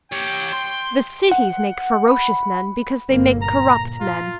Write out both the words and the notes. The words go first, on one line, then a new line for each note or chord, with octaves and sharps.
The cities make ferocious men because they make corrupt men.
G4 C#5 G5
C6
F#5
B5
G1 A#3
A#2 A#5
F4